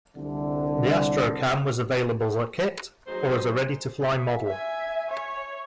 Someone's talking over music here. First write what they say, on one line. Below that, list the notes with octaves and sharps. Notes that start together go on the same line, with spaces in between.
The Astrocam was available as kit, or as ready-to-fly model.
C2 D3
F#3 D#4 G#4 C5
E5
E5 G#5
C#5